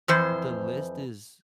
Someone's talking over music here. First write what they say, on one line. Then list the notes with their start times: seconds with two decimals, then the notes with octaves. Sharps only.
the list is
0.08 F2 E3 C5